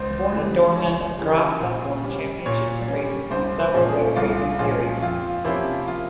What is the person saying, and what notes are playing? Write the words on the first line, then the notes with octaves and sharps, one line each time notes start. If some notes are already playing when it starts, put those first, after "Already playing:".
Born in Dornhan, Graf has won championships and races in several road racing series.
Already playing: C#2 C5
C#3 E3 G3
C#2 C#5
C#3 E3 G3
A#2 C5
G3 C#4
A#2 C#5
C#4
G3
C2 C5
C5
A#2 F3 G#3 C#4
G#4
C2 F4
A#2 F3 G#3 C#4 F4
F2 F4
C3 F3 A#3 C#4 E4
F4